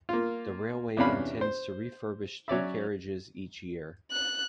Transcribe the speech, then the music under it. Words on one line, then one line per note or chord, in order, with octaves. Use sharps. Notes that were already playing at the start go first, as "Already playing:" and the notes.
The railway intends to refurbish three carriages each year.
A#3 F4
E2 C3 C#4 D4 F5 B5
C5
F#3 C#4 D5 E5
F#6